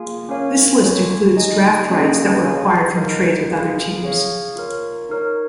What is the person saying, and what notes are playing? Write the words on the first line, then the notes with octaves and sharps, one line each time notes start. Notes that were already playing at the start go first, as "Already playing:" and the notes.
This list includes draft rights that were acquired from trades with other teams.
Already playing: A#3 F4 G#4 F5 G#5
C#4 A#4 C#5 F5 G#5
F4 C#5 G#5
D#4 G#4 D#5 G#5
A#3 C#4 G#4 D#5 G#5
G#4 C#5 F5 G#5
D#4 A#4 D#5
F4 G#4 F5 G#5
G#4 C#5 F5
F4 A#4 C#5
D#4 A#4 C#5